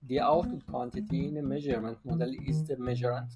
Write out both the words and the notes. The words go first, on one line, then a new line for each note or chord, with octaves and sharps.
The output quantity in a measurement model is the measurand.
B3
A#3
B3
A#3
G#3
E3
G3
G#3
A#3
E3
C#3
D#3
B2